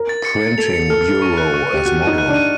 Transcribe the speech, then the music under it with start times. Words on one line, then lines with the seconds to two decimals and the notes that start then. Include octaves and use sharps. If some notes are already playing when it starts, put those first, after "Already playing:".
Printing Bureau as model.
Already playing: A#4
0.09 A6
0.25 C#7
0.42 A6
0.58 A4 F7
0.73 C#7
0.90 A4 F6
1.05 F6
1.22 C#6
1.38 F#6
1.54 C#6
1.69 G4 C#6
1.86 F#4 F#6
2.02 D#4 D#7
2.18 F#6
2.29 D4
2.34 D#7